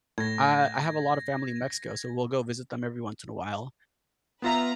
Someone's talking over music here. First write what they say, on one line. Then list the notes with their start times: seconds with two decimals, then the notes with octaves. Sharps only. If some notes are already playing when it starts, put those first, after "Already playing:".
I I have a lot of family in Mexico, so we'll go visit them every once in a while,
0.18 A2 G#6 A#6
4.42 B3 F4 B4 E5 A#5